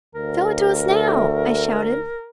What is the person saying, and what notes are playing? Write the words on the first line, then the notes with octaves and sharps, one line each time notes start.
"Show it to us now!" I shouted.
D2 A#4
A3